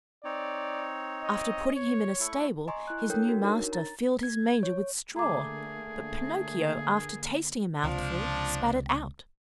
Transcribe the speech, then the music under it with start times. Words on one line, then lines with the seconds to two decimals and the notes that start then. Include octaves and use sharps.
After putting him in a stable, his new master filled his manger with straw, but Pinocchio, after tasting a mouthful, spat it out.
0.24 C4 D#4 C#5 D5
1.21 D#5
1.75 C#5
2.20 A3 E4 C#6
2.68 D#5 G#5 A#5 C6 C#6
2.88 E4 F#6
3.10 D4 A4 A#4 C#5 G5 G6
3.28 F#4
3.42 D4 D#4 A#4 C#5
3.73 A#5 A6
4.23 G#6
4.63 C#5
5.16 D3 A3 A#3 G#4 A#5 D6
7.83 C#2 C3 F3 D4